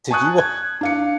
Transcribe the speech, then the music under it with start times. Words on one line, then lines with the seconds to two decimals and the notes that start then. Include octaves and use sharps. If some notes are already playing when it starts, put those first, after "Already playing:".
Did you w
0.11 G#5 A5 C#6 D#6 F#6
0.38 G#6
0.81 D4 F5 C#7